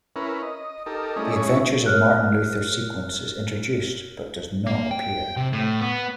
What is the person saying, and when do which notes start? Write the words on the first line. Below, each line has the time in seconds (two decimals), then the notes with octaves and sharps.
"The Adventures of Martin Luther" sequence is introduced but does not appear.
0.16 C#4 E4 A#4 B4
0.42 D#5
0.86 D#4 G4 A4 A#4
1.16 G3 A3 C#4 E4 G#4 D#5
1.36 G#3 C#4 E4 C#5
1.86 A#4 C#5 F6 F#6
4.67 A#3
4.91 G5
5.37 C3
5.53 A2
5.81 B3